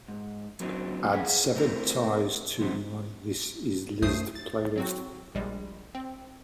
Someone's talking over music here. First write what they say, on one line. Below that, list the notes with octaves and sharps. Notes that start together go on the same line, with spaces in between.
Add severed ties to my this is liszt playlist.
G#2
F#2 A#2 F#3 C4 D4 D#4
G#4 B4 F#5
A3 C4 E4 A#4
D2 F3 G#3 B3 C4
B1 F#2 A3 C5 D#6 C7
A6
F#3 C4 F#4
A#1 G3 G#3
C4